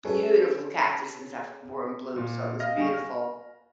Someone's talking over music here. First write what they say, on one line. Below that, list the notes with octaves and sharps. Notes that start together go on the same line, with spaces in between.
beautiful cactus and stuff were in bloom so it was beautiful.
C#4 G#4 A4 B4 C#5
A#2
D#5 F5 F6 A#6
G3 F#5 G#5 C#6
F6